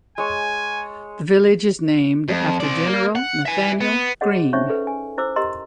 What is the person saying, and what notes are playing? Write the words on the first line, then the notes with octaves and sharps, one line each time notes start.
The village is named after General Nathanael Greene.
G#3 C#5 G#5
F2
C4 D5
A#3
F#5
E5 G#5
B3
F#4 G#4 C#5 D#5 F#5
C#4 D#4 C5 C#5 E5 C#6
A4 B4
G#5
E4 C5 D6 E6
G4 A#4 D#5 A#5 C6 E6